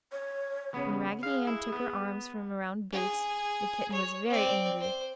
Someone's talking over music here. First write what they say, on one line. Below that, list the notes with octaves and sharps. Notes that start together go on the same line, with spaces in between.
When Raggedy Ann took her arms from around Boots, the kitten was very angry.
C#5
C#3 B3
G#4 F5
E4
B3
G#4
C#5
C4 D5
C5